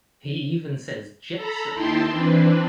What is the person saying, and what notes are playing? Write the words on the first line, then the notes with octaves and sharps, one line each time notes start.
He even says Jetson!
A4 A#5 B5
D#2 D#4 E4 G5 A5 C6
E3 C4 D4 B4